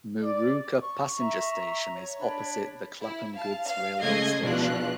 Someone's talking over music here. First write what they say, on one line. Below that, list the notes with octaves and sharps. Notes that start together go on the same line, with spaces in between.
Moorooka passenger station is opposite the Clapham goods railway station.
D5
C#6
E5 A#5
C#5
D4 D5 B5
E4
F5 A5
F5
C#3 G#3 A3 D#5 G#6 C7
E2 B2 F3 D4 F4 F#6